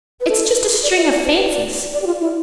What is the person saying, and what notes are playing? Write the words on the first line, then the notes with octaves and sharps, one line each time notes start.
It's just a string of fancies.
B4
A4
D5
E5
D5
C5
B4
D5
D5
G4
F4
E4